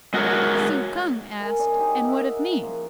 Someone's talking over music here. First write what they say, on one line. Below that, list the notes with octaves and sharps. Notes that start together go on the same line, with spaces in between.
Tzu-kung asked, And what of me?
G#3 F#4 A#4 C#5
A#4 E5 G#5
D4 G#4 C#5 D#5
D#4 G4
A#4 E5 F#5
C#3 F3 A#3 A#4